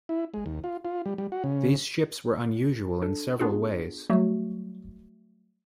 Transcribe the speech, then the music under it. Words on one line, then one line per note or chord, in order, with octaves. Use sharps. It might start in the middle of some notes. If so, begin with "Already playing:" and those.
These ships were unusual in several ways.
E4
G#3
D#2
F4
F4
G3
G3
F#4
C#3
D4 A4
B3 D4 F4 G#4
F#3 G3 A3 F#4